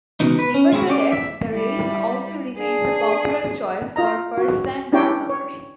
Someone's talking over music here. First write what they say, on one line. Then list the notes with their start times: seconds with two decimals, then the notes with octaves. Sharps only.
Nevertheless, the race also remains a popular choice for first-time marathoners.
0.20 C#2 B2 E3 D#4
0.39 B4
0.54 C#4
0.73 G#3 C4 D#4 E4 F#4
0.87 C#4 G4 C#5 D5
1.12 E5
1.52 G3 E4
2.58 D4 G#4
3.96 F4 D#5 A#5
4.38 F#4
4.93 C#4 D4 E4 G4 C#5 G5
5.30 C#5